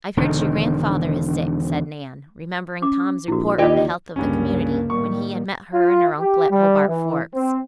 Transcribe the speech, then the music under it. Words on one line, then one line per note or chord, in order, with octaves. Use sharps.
"I've heard your grandfather is sick," said Nan, remembering Tom's report of the health of the community when he had met her and her uncle at Hobart Forks.
E1 D3 D#3
C#4 D6
A#1 E4 F#4
D#2 D#4 F4 G4 D5 D#5
G1 C#2 G2 C#3 A#3 C#4
A2 D#3 G3 C#6
F4
G4
G3
E3
C4